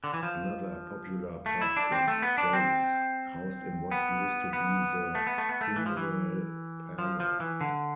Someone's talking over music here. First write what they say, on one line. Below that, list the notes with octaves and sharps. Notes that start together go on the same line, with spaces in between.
Another popular pub is Jake's, housed in what used to be the funeral parlour.
D3
E3
F3
A3
E4
D4
C4
A3
B3
D4
C4
B3
B3
A3
B3
A3
B3
A3
E3
F3
E3
F3
F3
E3
D3